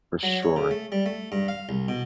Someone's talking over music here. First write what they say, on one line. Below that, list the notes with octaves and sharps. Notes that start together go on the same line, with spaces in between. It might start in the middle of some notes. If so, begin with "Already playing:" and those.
For sure.
F#3
C#5
C#3
A3
G3
A3
G2
F5
C2
B2